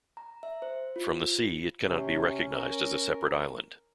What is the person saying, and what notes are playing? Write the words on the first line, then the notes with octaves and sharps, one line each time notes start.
From the sea, it cannot be recognised as a separate island.
A#5
E5
C5
F4
C3 C#4
A#4